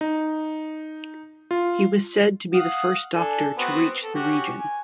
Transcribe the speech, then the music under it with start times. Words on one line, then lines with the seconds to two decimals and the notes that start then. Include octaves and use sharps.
He was said to be the first doctor to reach the region.
0.01 D#4
1.51 F4
2.54 F5 F#5 D#6
3.14 D4 A4 G#5
3.57 B3 C4 F#4
4.03 A4
4.15 C#4 F#4 G4
4.60 G#5